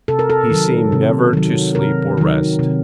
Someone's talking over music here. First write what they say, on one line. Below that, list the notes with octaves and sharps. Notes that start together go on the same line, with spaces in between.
He seemed never to sleep or rest.
C3 A4
A#4
A4
D#3 F#3
C3
D#3 F#3
C3 A#4
D#3 F#3
C3